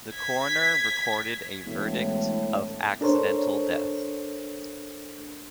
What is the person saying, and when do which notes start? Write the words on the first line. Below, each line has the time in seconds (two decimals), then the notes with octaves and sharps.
The coroner recorded a verdict of accidental death.
0.15 G#6 B6
1.66 E1 A2
3.01 D4 A4 A#4 C5 C#5